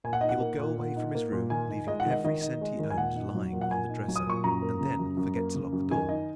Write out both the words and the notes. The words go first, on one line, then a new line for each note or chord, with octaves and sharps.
He will go away from his room leaving every cent he owns lying on the dresser--and then forget to lock the door!
A#2 G#5
F#5
D#4 D#5
F#5
A#3
A#2
A#2
D#4
A#3
A#2
D#3 G#5
D#4
G#3 D#5
F#5
D#3
D#5
D#3 D#5
D#4
G#3
D#3
G#5
A#2 F#5
D#4
F#3
A#2
F#5
A#2 G#5
D#4
F#3
D#6
A#2 C#6
F#2 A#5
A#3
C#3
F#2
F#2
A#3
C#3
F#2
D#3 G#5
D#4 D#5